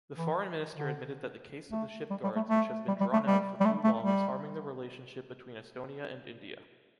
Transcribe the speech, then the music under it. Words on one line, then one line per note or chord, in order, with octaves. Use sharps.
The Foreign Minister admitted that the case of the ship guards which has been drawn out for too long is harming the relationship between Estonia and India.
E3
D3
A3
G3
G3
A3
A3
G3
G3
A3
G3
G3
A3
A3
G3